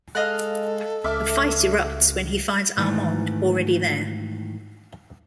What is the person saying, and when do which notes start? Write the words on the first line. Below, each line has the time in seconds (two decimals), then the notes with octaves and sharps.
A fight erupts when he finds Armand already there.
0.15 G#3 A4 D#5 F5 F#6
1.04 C#2 E5 D6 F6
2.77 G#2 D#3 E3 A3